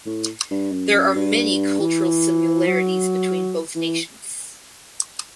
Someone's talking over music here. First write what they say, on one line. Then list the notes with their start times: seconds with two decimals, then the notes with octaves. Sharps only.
There are many cultural similarities between both nations.
0.06 A2
0.51 G2
0.72 F#2
0.93 F#2
1.16 G2
1.80 E3
2.67 F#3
3.75 E3